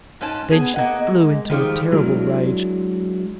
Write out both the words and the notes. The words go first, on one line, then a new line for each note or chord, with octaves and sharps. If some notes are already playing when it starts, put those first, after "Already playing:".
Then she flew into a terrible rage.
G#2 C#4 A5
B3 G#4
A#3 D#5 F#5
G#3
D#3 F3 G3 G#4
F#3 G#3 D4 E4 F4 A#4